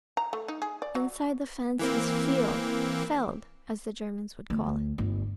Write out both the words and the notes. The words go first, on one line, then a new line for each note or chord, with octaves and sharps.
Inside the fence is Field--"Feld," as the Germans would call it.
A#5
A3
D#4
G#4
D5
F#3
E3 A#3 C4
D2
G1